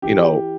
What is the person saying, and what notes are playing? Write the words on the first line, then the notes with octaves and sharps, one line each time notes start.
you know,
E3 G4